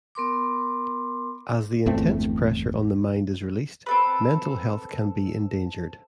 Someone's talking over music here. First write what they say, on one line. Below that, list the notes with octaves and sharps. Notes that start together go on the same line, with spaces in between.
As the intense pressure on the mind is released, mental health can be endangered.
B3 A#4 C6 D6
G1 E2 A3 C4
C4 A4 B4